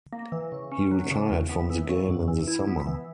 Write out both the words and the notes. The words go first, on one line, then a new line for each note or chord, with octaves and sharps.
He retired from the game in the summer.
A#3
E3
C#3
C#4
F#3
C#3
E2
B3
E3
C#3
F#2
E3
E4
B3
E3